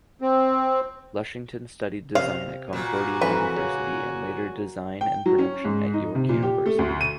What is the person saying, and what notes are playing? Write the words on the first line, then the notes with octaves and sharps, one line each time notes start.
Lushington studied design at Concordia University and later design and production at York University.
C4
C3 F5
A#2 F#4 G#5
F2 E3 B4
C#3
G5
F#3
C#4
G#2
D#4
C3
A#2
G4
A3
D2
D#7